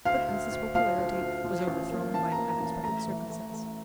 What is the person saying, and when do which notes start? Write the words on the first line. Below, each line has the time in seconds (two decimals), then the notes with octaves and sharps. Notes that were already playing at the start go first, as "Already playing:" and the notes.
But Mliss's popularity was overthrown by an unexpected circumstance.
0.05 D2 F5
0.28 D2
0.52 D2
0.75 F3 F5
0.98 D2
1.21 D2
1.44 F3
1.67 A1
1.91 A#3
2.14 A1 A5
2.32 A#5
2.38 A#3
2.49 A#5
2.60 A1
2.84 A3 A#5
3.07 E3
3.30 A3
3.53 A3